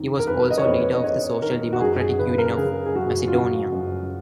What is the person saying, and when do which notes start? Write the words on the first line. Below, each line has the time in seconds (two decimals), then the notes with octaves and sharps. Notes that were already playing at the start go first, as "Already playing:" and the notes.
He was also leader of the Social Democratic Union of Macedonia.
Already playing: F2 D#3
0.19 A#4
0.27 F2 B4
0.50 D#5
0.58 C#5
0.65 F2 B4
0.94 D#5
1.04 F2 C#5
1.42 D#3 A#4
1.73 F#4
1.81 F#2 G#4
2.00 G#4
2.19 C#3 B4
2.38 A#4
2.57 C#3 G#4
2.86 G#4
2.95 F#2 F#4
3.28 F4
3.34 C#3 F#4
3.72 F#2